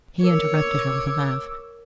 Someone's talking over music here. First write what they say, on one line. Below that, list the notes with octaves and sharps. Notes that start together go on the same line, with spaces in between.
He interrupted her with a laugh.
A#4 C#5 D6 E6